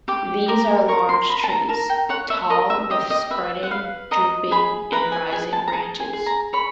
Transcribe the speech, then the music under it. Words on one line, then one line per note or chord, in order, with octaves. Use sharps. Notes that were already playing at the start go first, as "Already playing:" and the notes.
These are large trees, tall, with spreading, drooping, and rising branches.
G4 D6
A#4 D6
A#4 C#6
C6
A#4 B5
A5
A#5
A#4 A5
G5
C#5 F#5
E5
A#4 D#5
E5
G4 D#5
D#5
B4 E5
F#5
B4 F5
D#5 A#5
G#4 B5
B4 A#5
G#5
G#4 G#5
A5
A#5
G#4 A5
G#5
G#4
A#5
C#5 B5